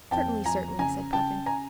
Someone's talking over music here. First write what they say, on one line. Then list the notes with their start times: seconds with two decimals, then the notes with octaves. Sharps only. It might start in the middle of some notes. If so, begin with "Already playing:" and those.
"Certainly, certainly," said Puffin.
0.11 F2 G5 A5
0.45 F3 G#5 A#5
0.79 C#3 G#5 A#5
1.13 C#3 G5 A5
1.46 G#5 A#5